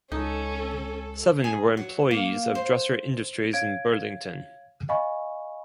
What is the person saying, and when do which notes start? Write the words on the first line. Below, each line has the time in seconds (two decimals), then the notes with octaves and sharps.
Seven were employees of Dresser Industries in Burlington.
0.12 C#2 C#4 D#4 A4
1.44 G#4
1.77 F#3
2.11 A#3
2.55 C5
3.53 C#5 F5 G#6 D7
4.89 D#5 F5 G#5 B5 C#6